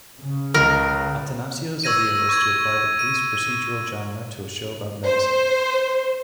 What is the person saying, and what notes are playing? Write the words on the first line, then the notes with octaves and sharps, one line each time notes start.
Attanasio's idea was to apply the police procedural genre to a show about medicine.
C#3
C#2 A#4
C#6 E6 G#6 A#6 D#7
C#6 G#6
D#7
C5